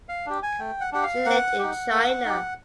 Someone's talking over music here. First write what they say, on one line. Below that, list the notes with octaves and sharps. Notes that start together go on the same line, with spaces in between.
She lived in China.
F5
D4 G4
G#5
A3 G5
F#5
D4 G4 F#5
F5
A#3 F#5
D#4 G4
A#3
D#4 G4